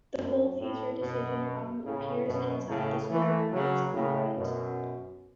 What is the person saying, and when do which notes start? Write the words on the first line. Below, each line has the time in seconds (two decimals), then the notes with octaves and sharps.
The whole future decision problem appears inside the square brackets on the right.
0.17 F#2
0.59 A2
1.01 F#2 B2
1.84 A2 C#3
2.27 F#2 B2
2.68 A2 C#3
3.10 E3 A3
3.52 C#3 F#3
3.94 A2 C#3
4.36 F#2 B2